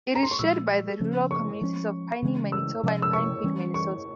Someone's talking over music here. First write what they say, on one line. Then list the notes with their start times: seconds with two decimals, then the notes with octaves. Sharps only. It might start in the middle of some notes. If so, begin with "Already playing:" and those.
It is shared by the rural communities of Piney, Manitoba and Pinecreek, Minnesota.
0.15 A#5
0.23 C6
0.31 C#6
0.39 A#2 F3 G#3 E6
1.00 C#3 F3 A#3 C#4
1.31 C#6
1.61 F3 G#3 C#4
2.22 C#3 E3 G#3 C#4
2.52 E6
2.83 C3 F3 G#3 C#4
3.02 E6
3.13 C#6
3.44 E3 G3 C#4
3.74 C#6